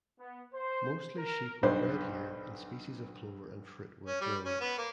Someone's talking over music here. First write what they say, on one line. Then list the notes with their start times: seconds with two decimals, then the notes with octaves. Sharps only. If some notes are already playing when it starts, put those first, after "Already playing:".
Mostly sheep were bred here and species of clover and fruit were grown.
0.20 B3
0.53 C5
1.17 A#4
1.63 B1 G2 B4 C5
4.06 C#4
4.21 G3
4.45 C#4
4.60 B3
4.78 A#3